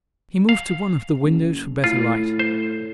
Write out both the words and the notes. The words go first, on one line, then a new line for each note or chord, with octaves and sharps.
He moved to one of the windows for better light.
F5
F#1
A2 F4
C5